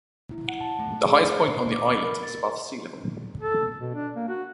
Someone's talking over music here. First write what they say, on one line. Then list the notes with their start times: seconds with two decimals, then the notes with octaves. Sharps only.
The highest point on the islet is above sea level.
0.31 E4
0.48 F#5
0.61 A5
0.80 A3
1.01 G#4
1.17 B4
1.31 C5
1.51 C7
1.72 D6
1.85 B5
2.04 A#4
2.23 A6
3.40 A4
3.79 B2
3.94 D4
4.16 A#3
4.29 F#4